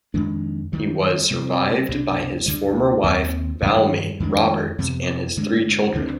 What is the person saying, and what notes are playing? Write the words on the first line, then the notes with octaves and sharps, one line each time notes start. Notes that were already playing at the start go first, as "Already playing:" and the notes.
He was survived by his former wife Valmai Roberts and his three children.
F2 D#3 G#3 D4
G2 D#3 G3
C3 G3 C4
C2 B2 G#3 D4
D2 D3 G3
D#2 D#3 G#3 C4
G2 D#3 G3
F2 D#3 G#3 D4
F2 C3 F3 B3
G2 D3 G#3
D2 D3 G3 C4